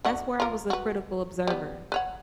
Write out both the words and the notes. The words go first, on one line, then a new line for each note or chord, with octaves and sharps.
That's where I was a critical observer.
D3 F#4 F#5
F4 A#4
F#4 B4
G3 B3
B4 C#5 F#5